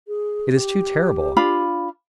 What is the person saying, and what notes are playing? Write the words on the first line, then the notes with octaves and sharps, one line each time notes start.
'It is too terrible!
G#4
G4
D4 F4 B5